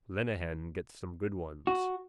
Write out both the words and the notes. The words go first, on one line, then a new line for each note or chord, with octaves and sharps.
Lenehan gets some good ones.
F#4